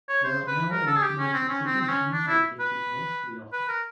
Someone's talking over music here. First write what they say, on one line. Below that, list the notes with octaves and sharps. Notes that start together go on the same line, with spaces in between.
There are now automated ticket machines located next to the office.
C#5
C5
B4
A#4
A4
G#4
G4
C#4
C4
C#4
C4
C4
C#4
D4
E4
B4
B4
A#4